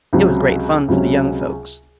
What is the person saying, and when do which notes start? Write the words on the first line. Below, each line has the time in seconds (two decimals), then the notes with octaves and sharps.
It was great fun for the young folks.
0.13 C#2 C3 F#3 C#4
0.88 C#2 C3 F#3 C#4